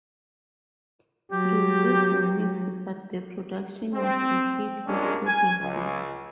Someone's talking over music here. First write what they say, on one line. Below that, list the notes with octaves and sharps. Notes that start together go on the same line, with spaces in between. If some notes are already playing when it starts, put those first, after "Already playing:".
Reviews were mixed, but the production was a hit with audiences.
F#3 G4
C4
F2 A#2 G#3 A#3 C#4 D4
G#5
C#2